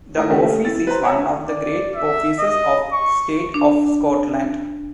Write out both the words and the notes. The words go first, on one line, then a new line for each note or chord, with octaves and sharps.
The office is one of the Great Officers of State of Scotland.
D#3 A3 E4 A#4
C#3 A3 A#3 C#4 G4
E4 A6
B4 C5 A#5
C#5 E5 F#5 A#5
D5
E5
D#5
C#6
D4